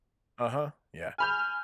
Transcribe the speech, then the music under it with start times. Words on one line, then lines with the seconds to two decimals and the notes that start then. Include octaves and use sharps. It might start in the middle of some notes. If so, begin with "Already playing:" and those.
Uh-huh. Yeah.
1.18 G#5 B5 F6 G6